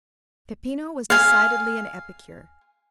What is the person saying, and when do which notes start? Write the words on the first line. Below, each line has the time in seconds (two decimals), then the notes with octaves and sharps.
Peppino was decidedly an epicure.
1.10 F5 G#5